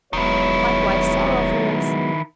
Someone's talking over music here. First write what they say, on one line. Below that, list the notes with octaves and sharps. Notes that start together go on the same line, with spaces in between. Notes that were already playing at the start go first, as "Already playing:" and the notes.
Likewise sorrowfulness!
E1 D#3 F#3 G#3 B3 E4 C#5